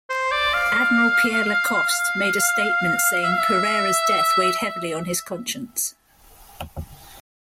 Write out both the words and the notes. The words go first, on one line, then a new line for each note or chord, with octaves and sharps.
Admiral Pierre Lacoste made a statement saying Pereira's death weighed heavily on his conscience.
C5
D5
F5
F5
E5
F5
E5